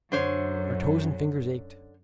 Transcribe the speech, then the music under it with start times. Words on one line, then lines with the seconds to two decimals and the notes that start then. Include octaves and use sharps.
Our toes and fingers ached.
0.12 F#2 D3 C5 C#5